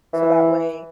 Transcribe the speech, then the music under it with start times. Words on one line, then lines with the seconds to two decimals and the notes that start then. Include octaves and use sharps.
So that way,
0.13 E3